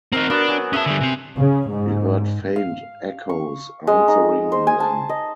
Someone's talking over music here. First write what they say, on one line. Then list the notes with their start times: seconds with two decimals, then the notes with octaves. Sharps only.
He heard faint echoes answering them.
0.12 C4 D#4 A#4 F#5
0.30 B3 D4 F#4
0.48 F#3 G#5
0.73 C#4 G#4 E5 A5
0.86 D3 G3
1.01 C3 C4
1.37 C#3
1.70 G#2
2.56 F5
3.29 C#6
3.87 G#3
4.08 D#4
4.52 C5
4.67 G#5
4.80 A5
5.09 D#5